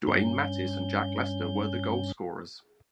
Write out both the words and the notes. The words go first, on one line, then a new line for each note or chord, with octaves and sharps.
Dwayne Mattis and Jack Lester were the goalscorers.
G2 C#4 G6